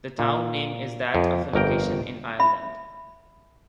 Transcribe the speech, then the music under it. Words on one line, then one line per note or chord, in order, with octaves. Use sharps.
The town name is that of a location in Ireland.
A#2
F2
G1 F2 A#4 G5
E5 B5